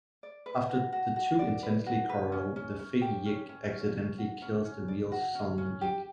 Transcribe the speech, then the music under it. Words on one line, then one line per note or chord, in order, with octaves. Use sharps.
After the two intensely quarrel, the fake Yik accidentally kills the real Sung Yik.
D5
B4
F#4
F#4
F#4
D5
B4
F#4
B4
C#4
C#4
C#4
G4
C#4
C#4
C#4
C#4
F#4
C#4
C#4
D5
F#4
C#4
C#4
G4